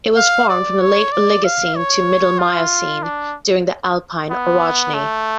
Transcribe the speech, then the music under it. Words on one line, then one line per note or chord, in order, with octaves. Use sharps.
It was formed from the late Oligocene to middle Miocene, during the Alpine orogeny.
F5
D5
C#5
D5
F5
C#5
F4
D4
B3
A3